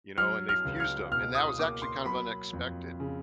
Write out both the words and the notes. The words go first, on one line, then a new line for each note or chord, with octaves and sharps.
you know, and they fused them, and that was actually kind of unexpected,
F#3 F6
F6
C#2
F6
B2 F6
D#6
A#3 D6
C6
F#3 B5
F2
C#3